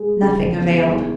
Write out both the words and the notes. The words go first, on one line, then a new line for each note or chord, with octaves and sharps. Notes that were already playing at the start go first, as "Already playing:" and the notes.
Nothing availed.
Already playing: G#3
C#3
B3
E4